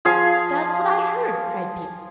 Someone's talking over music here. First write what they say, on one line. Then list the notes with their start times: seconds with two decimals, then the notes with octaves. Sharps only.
"That's what I heard," cried Peter.
0.05 F3 G#4 F5